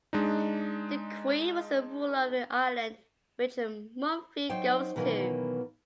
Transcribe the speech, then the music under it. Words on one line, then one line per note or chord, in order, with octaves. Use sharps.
The queen was the ruler of the island which Mumfie goes to.
G#3 D4 D#4
F#3 D#4 C5 G5
B2 D#3 E3 F#3 A#3